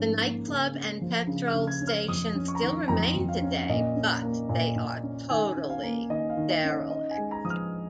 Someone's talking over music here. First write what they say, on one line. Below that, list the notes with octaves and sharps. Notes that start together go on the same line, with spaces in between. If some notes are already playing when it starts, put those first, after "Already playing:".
The nightclub and petrol station still remain today, but they are totally derelict.
Already playing: G#2 F3 C#4
A#3
C#3
C#4
F3
C#3
F6
C#3
G#6
C#4
F6
F2 D#6
C#4
C#6
A#5
D#3 C#6
F2 A#5
F2
F5
C#4
A#2 D#5
C#4
A#3
A#2
A#2
C#4
D#3 G#5
C#4
F5
A#3
D#3 D#5
F5
D#3
D#5
C#4
C#5
D#4 D#5
G#5
G#3
A#5
F3 D#6
F6